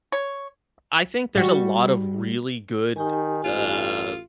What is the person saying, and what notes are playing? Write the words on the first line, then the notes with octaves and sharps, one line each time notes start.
I think there's a lot of really good, uh,
C#5
G3 F#4
D#3 D#4 G4 G#5
A1 F4